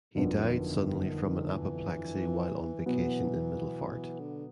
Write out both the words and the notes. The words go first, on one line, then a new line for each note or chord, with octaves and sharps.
He died suddenly from an apoplexy while on vacation in Middelfart.
G1 F2 D3 D#3 F#3
E3
B2 E3 F#3 B3
D3